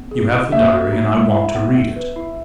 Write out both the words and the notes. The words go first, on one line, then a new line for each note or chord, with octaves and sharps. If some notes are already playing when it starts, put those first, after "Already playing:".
You have the diary and I want to read it.
Already playing: B3
G#4
E4
A#3 E5
F#4
D#4
G#3
E4
B3
B3
B4
E4